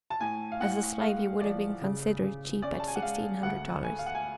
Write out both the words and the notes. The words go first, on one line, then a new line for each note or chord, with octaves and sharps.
As a slave, he would have been considered cheap at sixteen hundred dollars.
A5
A2 G#5
F5
A2 F#5
G#3 F5
F3 D5
C#3
C#3
C#4 D5
A5
G#5
F#5
G#3 F5
D2 F#5
A3 G#5
F5
F#5
G#5